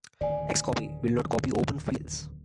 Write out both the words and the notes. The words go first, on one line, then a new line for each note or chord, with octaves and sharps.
Xcopy will not copy open files.
D1 D#2 C#3 D5 G#5